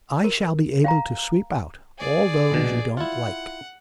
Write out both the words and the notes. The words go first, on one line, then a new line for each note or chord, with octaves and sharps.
'I shall be able to sweep out all those you don't like.
A#4
F5 G5 A#5
G#4 D5
A#1 B2
E4 F4 F#5